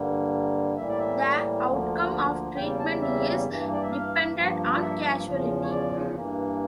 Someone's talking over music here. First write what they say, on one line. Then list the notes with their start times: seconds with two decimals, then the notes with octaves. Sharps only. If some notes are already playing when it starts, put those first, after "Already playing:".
The outcome of treatment is dependent on causality.
Already playing: G2 D3 G3 A#3
0.77 A2 E3 G3 A#3 E5
0.88 D5
0.99 E5
1.67 D2 D3 F3 A#3
2.56 E2 C#3 G3 A#3 G5
2.79 A5
3.02 E5
3.46 G2 E3 A#3
3.73 D5
3.82 E5
3.91 F5
4.36 G2 F3 A#3
4.76 D5
4.81 E5
5.26 E2 C#3 F3
5.63 C#5
5.70 D5
6.15 G2 E3 A#3